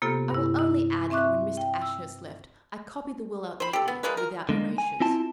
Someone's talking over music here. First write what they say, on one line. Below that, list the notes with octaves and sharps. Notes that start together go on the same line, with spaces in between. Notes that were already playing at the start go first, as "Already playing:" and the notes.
I will only add that when Mr. Ashurst left, I copied the will out neatly, without erasures.
C3 A#3 B3 F4 G4 A4
G2 E4
E4
C4 E5 C#6 D6 F#6
G5
E6
C5 B5
G4 A4
B3
F3 G#3 A#3 B4
A#4
D3 G#3 A#3
G#5
C4 E4 F4 A5